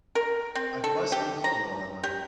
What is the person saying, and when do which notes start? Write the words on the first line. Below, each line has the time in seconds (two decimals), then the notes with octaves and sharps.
I could buy some new clothes with all that money.
0.15 A#4
0.55 C4
0.84 A4
1.12 G4
1.44 A#5
2.03 G4